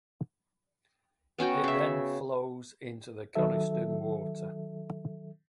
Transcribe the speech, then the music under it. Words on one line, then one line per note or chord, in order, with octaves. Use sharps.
It then flows into the Coniston Water.
B3 C#4 F#4 G5
C#3 E5
D#3 F#3 A4 E5